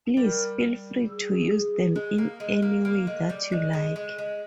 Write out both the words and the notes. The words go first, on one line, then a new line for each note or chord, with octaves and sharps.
Please feel free to use them in any way that you like.
G3 A#4
G#4
G#3
A#3
G#3
A#3
A#3
G#3
G3
G#3
G#3
G#3
G#3